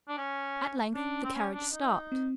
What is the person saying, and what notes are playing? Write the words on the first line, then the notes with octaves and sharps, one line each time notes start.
At length the carriage stopped.
D4
C#4
C#4 D4
C4
C#4
D4
D#4
C4